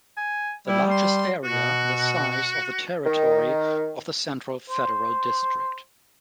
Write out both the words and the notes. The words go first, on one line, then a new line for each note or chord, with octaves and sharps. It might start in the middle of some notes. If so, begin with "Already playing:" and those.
The largest area the size of the territory of the Central Federal District.
G#5
G3 E4
C6
B2 F#4
D#3
C5